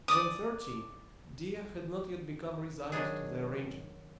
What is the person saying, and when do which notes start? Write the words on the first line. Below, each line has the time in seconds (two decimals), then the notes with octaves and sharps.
When thirteen, Dea had not yet become resigned to the arrangement.
0.08 D5 D6 D#6
2.92 D#3 F#3 D4 G#4